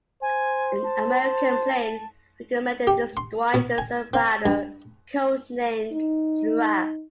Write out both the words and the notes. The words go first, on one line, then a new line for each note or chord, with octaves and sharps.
An American plane recommended destroying the Serb radar, code-named Giraffe.
C5 G#5
A5
G4
C6
B2
G#5
C4
G2
D#4